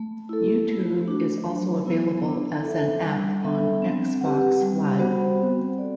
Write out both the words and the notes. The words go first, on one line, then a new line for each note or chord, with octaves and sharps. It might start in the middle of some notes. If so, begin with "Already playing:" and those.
YouTube is also available as an app on Xbox Live.
Already playing: A3
E4 A4
A3
D4 F#4
F#3
B3 E4
D4
A4 E5
G3
B3 D4 A4 E5
C4
G4 B4 F#5
G3
B3 F#4 C5 F#5
C4
A4 D5